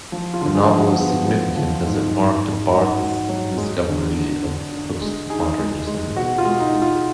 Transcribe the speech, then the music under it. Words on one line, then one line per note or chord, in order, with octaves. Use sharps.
The novel is significant as it marked Barth's discovery of postmodernism.
F3
F4
D3
G#4
F3
F#4
B3
F3
F3
G#2
G#2
G#2
G#2 F#4
G#2
F#3
G#3
D3
D3
D3
D3
G#3
D#4 G#4
G#3
G#3
B2 F#4
F4
G#3
D#4
G#3
F4